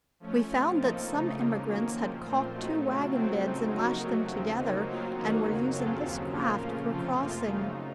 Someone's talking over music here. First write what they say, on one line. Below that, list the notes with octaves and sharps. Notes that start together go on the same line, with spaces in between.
We found that some emigrants had calked two wagon beds and lashed them together, and were using this craft for crossing.
F3 A3 C#4
F2 C3 F3 C4 F4
A2 F3 A#3 D#4 A4
C#3 A3 D#4
C#3 F3 A#3
D#3 F#3 A#3 C#4
A#2 F3 C4
A#2 A3 C4 F4 C5
A2 F#3 A3 D#4 A4
C#3 F#3 C4 F4
C3 F#3 A3 C4 F#4
F2 C#3 F3 C4 D#4
F#3 A#3 D#4 F#4 A#4
C3 F#3 A3
D#2 C#3 F3 C4
F#3 A#3 D#4
F#3 C4 F4
D#2 D#3 A#3 D#4 F#4
F#2 C#3 F#3
C#3 F#3 C4 F4 A4
D#2 C#3 F3
A#2 F3 A#3 F4 A#4
C#3 A3 C#4
C3 F3 C4 F4 A4
F#2 F3 A#3 F4
C#3 F#3 A3 D#4